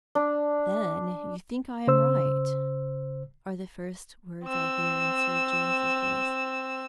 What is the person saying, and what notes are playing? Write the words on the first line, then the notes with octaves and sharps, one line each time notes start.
"Then you think I am right?" are the first words I hear, in Sir James's voice.
D4
C#3 C5 E6
C4 E6